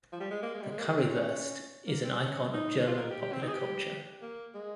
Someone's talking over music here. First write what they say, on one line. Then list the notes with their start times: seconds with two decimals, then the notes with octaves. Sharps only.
The currywurst is an icon of German popular culture.
0.13 F3
0.20 G3
0.31 G#3
0.43 A#3
0.54 G#3
0.62 G3
0.70 G#3
0.79 A#3
0.87 G#3
0.98 C4
1.09 C#4
1.87 A#3
2.05 C4
2.21 C#4
2.54 D#4
2.87 F4
2.98 A#4
3.10 G4
3.22 G4
3.33 C4
3.43 D#4
3.49 G#4
3.54 G4
4.22 A#3
4.54 G#3